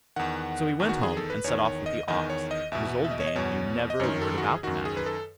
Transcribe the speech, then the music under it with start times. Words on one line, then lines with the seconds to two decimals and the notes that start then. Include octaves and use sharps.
So he went home and set off with the ox, and his old dame knew never a word about the matter.
0.16 E2 D#3 F#5
0.80 E2 D#3
0.89 F#4
1.03 G#4
1.17 A4
1.30 B4
1.44 E2 D#3 C#5
1.65 C#5
1.86 D#5
2.08 E2 D#3 D#5
2.30 C#5
2.51 D#5
2.72 E2 B2 E5
3.04 E5
3.11 D#5
3.20 C#5
3.27 D#5
3.35 E2 B2 C#5
3.90 D#5
4.00 F#2 D#3 C#5
4.22 A4
4.38 F#4
4.43 G#4
4.63 F#2 D#3 F#4
4.85 G#4
4.97 B4
5.06 A4